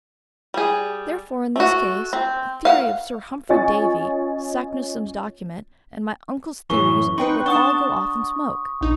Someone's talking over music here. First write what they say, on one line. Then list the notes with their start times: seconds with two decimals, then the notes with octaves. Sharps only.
Therefore, in this case, the theory of Sir Humphry Davy, Saknussemm's document, and my uncle's theories would all go off in smoke.
0.54 G3 G#4
1.56 A3 F#4
2.13 C4
2.65 F5 F#5
3.49 C#4 F4 D#5 G#5 C#6 A6
6.70 F#2 A2 E3 C#6
7.18 C4 D#4 B4 G5 C6 C#6
7.46 D4 F#5 A5 C#6 D#6
8.81 A#1 D#4